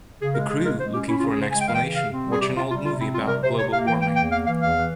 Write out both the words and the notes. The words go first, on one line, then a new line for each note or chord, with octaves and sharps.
The crew, looking for an explanation, watch an old movie about global warming.
C#3 G#4
G#3 A#4
C#3 G#4
G#3 A#4
G#3 C5
C#4 G4
C#4 E4
F4
C#3
G#4
C#3 C5
G#3 G#5
G5
E3 F5
G5
C#3
C3 F5
C4
G3 G#4
C3 G4
C3 F4
G3 F4
C3 F4
C4 E4
G3 F4
C3 A#4
C3 C5
C3 C#5
A#3 F5
E3 G5
A#3 G5
E2 G5
A#3 F5
E3 F5
E2 F5
E3